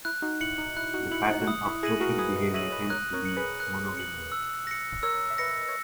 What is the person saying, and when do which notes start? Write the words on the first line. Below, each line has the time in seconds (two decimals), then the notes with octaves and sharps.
The pattern of social behaviour tends to be monogamy.
0.05 E4 F#6
0.22 D#4 F#4
0.41 E4 C#7 F#7
0.58 D#4
0.77 E4 F#6
0.94 D#4 F#4
1.11 E4 C#7 F#7
1.30 D#4
1.41 F#4
1.47 E4 D#6
1.65 E4
1.83 E4 G#4 A#6 D#7 F#7
2.00 F#4 A#4
2.18 G#4 B4 D#6
2.36 B4 D#5
2.54 C#5 E5 A#6 D#7 F#7
2.72 B4 D#5
2.90 A#4 C#5 F#6
3.13 A#4 C#5
3.25 C#7 F#7
3.37 G#4 B4
3.60 F#6
3.97 C#7 F#7
4.32 E6
4.67 A#6 C#7
5.03 A#4 C#5 E6
5.30 E5
5.38 B4 D#5 A#6 C#7
5.68 C#5